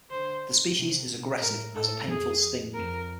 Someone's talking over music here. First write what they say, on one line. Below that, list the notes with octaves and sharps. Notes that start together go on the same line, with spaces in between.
The species is aggressive and has a painful sting.
D3 C5
C3
B2
A2 A#4
A2 A4
F2 G#4
F2 A#4